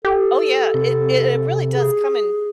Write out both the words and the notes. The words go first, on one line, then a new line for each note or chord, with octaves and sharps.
Oh yeah, it it it really does come in,
G4 A4
C3
G#4